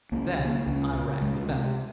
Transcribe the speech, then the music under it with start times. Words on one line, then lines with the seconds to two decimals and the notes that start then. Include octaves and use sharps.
Then I rang the bell.
0.12 C#2 A#3
0.39 C#3
0.67 C#2
0.94 C#3
1.21 C#2 G#3
1.49 C3